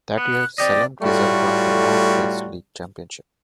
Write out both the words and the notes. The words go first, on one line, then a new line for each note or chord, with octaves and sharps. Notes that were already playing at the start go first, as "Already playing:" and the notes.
That year, Salem-Keizer won the Northwest League championship.
B3 F#6
C4 G4 D5 D#5
A2 G3 A3 F4 F#4